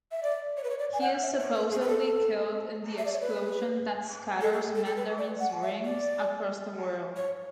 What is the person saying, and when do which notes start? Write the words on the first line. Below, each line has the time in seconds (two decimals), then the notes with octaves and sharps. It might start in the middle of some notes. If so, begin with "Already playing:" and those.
He is supposedly killed in the explosion that scatters Mandarin's rings across the world.
0.12 E5
0.23 D5
0.57 C#5
0.64 B4
0.70 C#5
0.79 D5
0.93 G#5
1.01 F#5
1.22 E5
1.40 C#5
1.55 B4
1.72 G#4
1.81 B4
1.89 A4
2.98 E5
3.06 D5
3.13 C#5
3.21 B4
4.41 A4
4.53 G#4
4.75 A4
4.85 A4
4.96 B4
5.18 D5
5.40 F#5
5.63 E5
5.85 D5
7.16 C#5